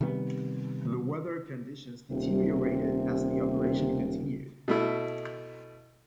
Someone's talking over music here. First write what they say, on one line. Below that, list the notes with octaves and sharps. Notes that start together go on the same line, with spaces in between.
The weather conditions deteriorated as the operation continued.
C3 D#3 G3 B3
D#1 C3
B2 A3 E4